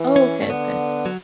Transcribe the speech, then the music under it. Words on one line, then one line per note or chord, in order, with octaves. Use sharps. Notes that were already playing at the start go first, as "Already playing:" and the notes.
Oh, okay, okay.
Already playing: E3
C#4
A3
D3 B3
F#3